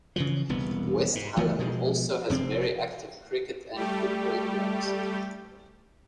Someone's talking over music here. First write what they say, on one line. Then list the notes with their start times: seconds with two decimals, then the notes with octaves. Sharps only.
West Hallam also has very active Cricket and Football Clubs.
0.16 C#3 E3 F3
0.49 E1 C2 B3
1.15 G#2
1.36 F#1 E3 A3 B3
1.59 B2 F3 G3 G#3
2.30 F1 C3 C4
3.75 G3 A3 G4